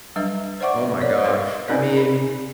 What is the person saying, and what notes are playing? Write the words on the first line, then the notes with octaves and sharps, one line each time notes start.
Oh my gosh, I mean,
F#3 G3 D4 B4 E5
C5 D5 E5 F#5 C#6 D6
A#4 C#5 D5
B4 C5 C6
C4 C#4 D#4 A#4 D5
B5